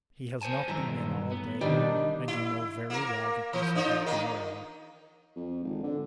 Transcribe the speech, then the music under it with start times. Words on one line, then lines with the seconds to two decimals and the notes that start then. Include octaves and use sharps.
"He has not been in all day, and you know very well that this is his dinner hour."
0.41 C5 G#5 A5
0.68 G2 D#3 F#3 E5 A#5
1.32 B3
1.61 B2 D#3 G3 C4 D4
2.28 E4
2.90 A#3 A#4
3.53 E3
3.75 D4 D#4 F4
4.06 D#3 A#3
5.36 F2
5.63 G#1
5.83 D3